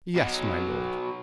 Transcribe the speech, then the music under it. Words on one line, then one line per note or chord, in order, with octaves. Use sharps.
"Yes, my lord."
B2 F#3